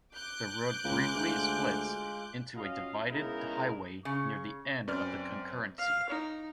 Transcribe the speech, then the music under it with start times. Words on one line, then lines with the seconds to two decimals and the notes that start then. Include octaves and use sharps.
The road briefly splits into a divided highway near the end of the concurrency.
0.15 D6 F#6 G6
0.84 C#2 G#3 F4
1.15 D2
2.55 C#4 F4 F#4 D#5 F5
3.07 C#3 G#3 B3 D#4 E4 A#4
4.05 C#3 C#6
4.88 F#2 C4 C#4 B4 C5 D5 F6
5.78 F5
6.10 D#4